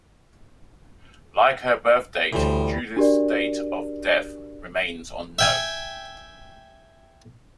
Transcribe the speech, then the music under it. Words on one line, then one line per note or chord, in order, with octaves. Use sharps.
Like her birth date, Judith's date of death remains unknown.
D2 A2 E3 G3 C5
D4 F#4 G4 A#4 D5
E5 G5 G#5